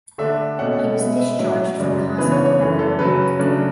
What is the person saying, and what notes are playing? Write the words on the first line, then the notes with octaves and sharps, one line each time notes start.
He was discharged from the hospital that very day.
D3 A3 D4 E5
B2 A3 C#4 F#5
F#5
B2 G#3 B3 E5
E5
A2 F#3 C#4 E5
F#2 C#3 F#3 D5
C#3 E3 B3 D4 B4
C#5
C#5
F#2 E3 A3 B4
A4
C#3 F#3 C#4 B4
C#3 F#3 A3 D4